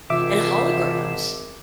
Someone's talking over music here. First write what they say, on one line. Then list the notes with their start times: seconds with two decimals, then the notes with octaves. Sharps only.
And holograms.
0.10 G#1 C3 E3 F4 E5 D6